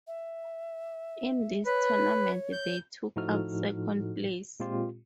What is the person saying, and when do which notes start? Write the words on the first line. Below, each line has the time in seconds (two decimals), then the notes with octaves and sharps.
In this tournament they took out second place.
0.07 E5
1.65 B4 C#5
2.53 G6
3.16 A2 F3 D#4 F#4 A4 F6
4.60 A#2 G#3 C4 F4 G4